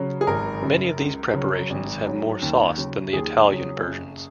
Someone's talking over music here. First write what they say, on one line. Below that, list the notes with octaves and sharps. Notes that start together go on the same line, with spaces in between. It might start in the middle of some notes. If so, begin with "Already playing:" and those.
Many of these preparations have more sauce than the Italian versions.
Already playing: C#3 F#3
G#4
G#1 A#4
F#2 C#3
C#2
C#3 F#3
G#1
G#2 F#3
D#2
C#3 F#3
D#2 G#4
C#3 F#3
F#1